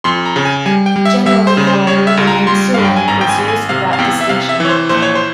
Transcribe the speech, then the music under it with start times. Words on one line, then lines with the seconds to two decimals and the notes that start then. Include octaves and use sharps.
Generally, however, the name "Siouan" is used without distinction.
0.04 F2 C6
0.26 A#5
0.36 C#3
0.45 G#5
0.66 G3 G#5
0.86 G5
0.96 G3
1.05 E5
1.26 G3 E5
1.47 C5
1.57 C#3
1.67 C5
1.87 G3 C#5
2.07 E5
2.17 C#2
2.27 A#5
2.47 G3 C6
2.74 G2 F5
2.85 G5
2.96 G#5
3.08 G#1 A#5
3.21 G5
3.29 G#5
3.38 G#1
3.48 G#5
3.69 C3 F5
3.93 F5
3.98 E2 G5
4.21 E5
4.29 C3 F5
4.49 E5
4.60 E3 C#5
4.69 C5
4.89 A#1 C5
5.02 C#5
5.15 C5